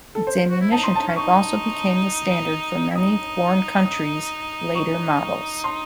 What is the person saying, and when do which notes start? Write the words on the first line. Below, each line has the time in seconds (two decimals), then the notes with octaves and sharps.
Its ammunition type also became the standard for many foreign countries' later models.
0.15 A4
0.27 C5
0.50 F#4
0.61 E4
0.72 D#4 A5
0.83 C6
0.95 A5
1.07 C#4
1.16 D#4 C#6
2.90 E4
2.95 D#4 D#6
3.85 D#6
4.75 C#6
5.64 C6